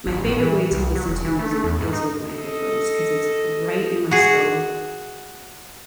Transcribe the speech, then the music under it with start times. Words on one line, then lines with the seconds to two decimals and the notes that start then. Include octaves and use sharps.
my favorite way to listen to music is with my headphones ‘cause it's right in my skull
0.06 G#1
0.23 A2
0.40 E3
0.72 C2
0.95 F#3
1.08 F1
1.25 E3
1.39 A3
1.51 A3
1.64 E2
1.81 G#2
1.93 D#4
2.32 A4 D#5
4.11 F#4 G#4